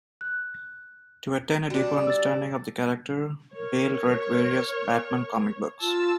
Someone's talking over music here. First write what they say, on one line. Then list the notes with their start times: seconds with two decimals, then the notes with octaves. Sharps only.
To attain a deeper understanding of the character, Bale read various Batman comic books.
0.21 F#6
1.70 G3 D4 F#4
2.07 E6 A6
3.56 A#4 C#5
5.81 F4 A5 E6 A6